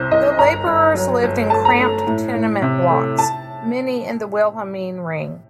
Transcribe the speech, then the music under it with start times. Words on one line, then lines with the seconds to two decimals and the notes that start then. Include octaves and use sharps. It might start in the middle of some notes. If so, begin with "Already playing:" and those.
The labourers lived in cramped tenement blocks, many in the Wilhelmine Ring.
Already playing: C2 C3 C5
0.11 C2 D#5
0.38 G1 A#5
0.66 G1
0.94 F#3
1.23 G1
1.50 A3 A5
1.65 A#5
1.79 A3
2.07 A2
2.34 A2
2.62 C3
2.90 A3
3.19 A5